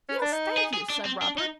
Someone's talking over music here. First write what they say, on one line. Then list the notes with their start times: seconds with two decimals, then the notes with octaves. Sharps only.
'Yes, thank you,' said Robert.
0.09 C#4
0.21 D4
0.32 D#4
0.57 G#4
0.74 G#4
0.90 D4
1.05 C4
1.22 D4
1.38 D#4